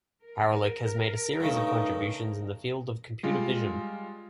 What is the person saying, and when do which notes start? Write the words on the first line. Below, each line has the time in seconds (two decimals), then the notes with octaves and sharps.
Haralick has made a series of contributions in the field of computer vision.
0.24 A#4
1.40 G2 C#3 A3 D#4
3.23 G3 G#3 F4